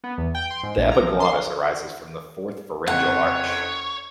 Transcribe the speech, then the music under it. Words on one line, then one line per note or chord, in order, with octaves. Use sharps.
The epiglottis arises from the fourth pharyngeal arch.
B3
E2
G5
C6
G#2
A#1
A#5
F3
C6
F#1 F2 C#5 F#5